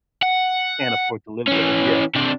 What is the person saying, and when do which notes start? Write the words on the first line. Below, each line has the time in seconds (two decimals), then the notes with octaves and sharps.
Can't afford to live there. Yeah.
0.22 F#5
1.48 E3 C#4
2.15 C3 D4